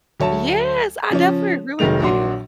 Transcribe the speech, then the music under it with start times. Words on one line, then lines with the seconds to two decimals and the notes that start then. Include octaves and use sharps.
Yes, I definitely agree with you.
0.20 D2 F#3 C#5 A5
1.10 C#3 F3 C#4
1.79 F1 D#3 F#3 G#3 F7
2.00 A#1 F#3 D4 F#4 C6